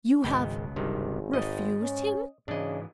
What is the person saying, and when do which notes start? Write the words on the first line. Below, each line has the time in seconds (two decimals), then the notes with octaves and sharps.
"You have--refused him?"
0.24 G#1 C#2 B2 G#3 G5
0.76 G#1 G2 C3 D#3
1.33 G#2 D#5
1.82 C#4
2.48 G#2 C#3 E3 D4 D#5